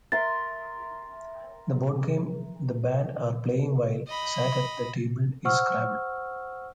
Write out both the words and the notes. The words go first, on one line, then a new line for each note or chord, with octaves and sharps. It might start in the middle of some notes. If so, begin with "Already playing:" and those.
The board game the band are playing whilst sat at the table is Scrabble.
A#4 E5 C6 A6
D#5 B5
C5 F#5 C#6 E6 F6